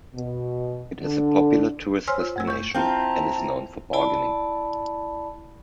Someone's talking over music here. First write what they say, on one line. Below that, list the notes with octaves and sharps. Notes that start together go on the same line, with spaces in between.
It is a popular tourist destination, and is known for bargaining.
B2
D3
C5 C#5 G#5 C6 E6 F6
F4
F#2 A3 E6
C#6 G6
C4 E4 F4 A5 A#5
E4 D5 A5 B5